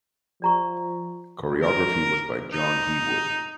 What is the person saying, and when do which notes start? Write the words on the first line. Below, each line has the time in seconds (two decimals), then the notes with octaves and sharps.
Choreography was by John Heawood.
0.42 F3 D5 A#5 C#6
1.62 A#4
2.53 D#4